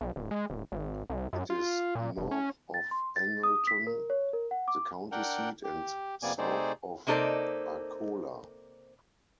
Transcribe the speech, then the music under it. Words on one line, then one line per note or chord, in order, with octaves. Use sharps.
It is north of Angleton, the county seat, and south of Arcola.
B1
D1
G#3
D1
G#1
C2
F#2
F4
A#2
F1
C#4
A6
C6
A6
D#6
B6
A#4
C#5
A#4
F#5
D6
D4 A#4 F#5 G5
G4
F2 C3 A#3 B3 D5 G#5
C3 A3 D#4 G#4 C5 D5
C3 A#3 D#4 A4 C5 D5